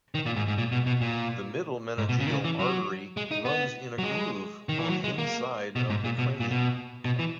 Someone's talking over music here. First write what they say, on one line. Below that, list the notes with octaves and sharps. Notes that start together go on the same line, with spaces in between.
The middle meningeal artery runs in a groove on the inside of the cranium.
D#3
A#2
G#2
G#2
A#2
B2
B2
A#2
G#2
B2
C#3
D#3
C#3
E3
F#3
G#3
D#4
B3
F#3
G#3
D#3
E3
F#3
G#3
A#3
B2
G#2
A#2
B2
A#2
B2
B2
E3